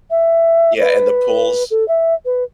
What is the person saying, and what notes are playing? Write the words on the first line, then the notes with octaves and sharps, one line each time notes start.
yeah, and the pools
E5
B4
A4
E5
B4